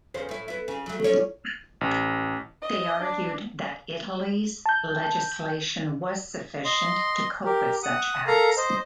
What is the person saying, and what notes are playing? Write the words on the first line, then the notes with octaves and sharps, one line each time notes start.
They argued that Italy's legislation was sufficient to cope with such acts.
E2 C#3 C5
A2 E4
B3 E4
C#3
F#3 A3
C#4 D4 C#5
A1
D#5
D4
A5 G6
D#5 C6
G4 A#4
F#5 D#6
A4 A#4 F5 A#5
C5 D#5